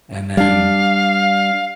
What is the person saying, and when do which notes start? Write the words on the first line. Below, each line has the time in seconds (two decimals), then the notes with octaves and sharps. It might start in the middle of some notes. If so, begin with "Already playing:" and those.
And then
0.37 G3 D4 F5